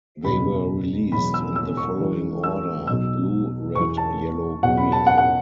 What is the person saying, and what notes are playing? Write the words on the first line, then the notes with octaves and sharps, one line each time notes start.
They were released in the following order: Blue, Red, Yellow, Green.
F#1 E2 B2 F#3 B5
E1 E2 B2 F#3 B5
E6
E6
C#6
E1 E2 E3
E6
B1 B2 F#3 E6
E2 E3 C#6
A5
E2 B2 F#3 F#5
B5
A5
F#5
F#5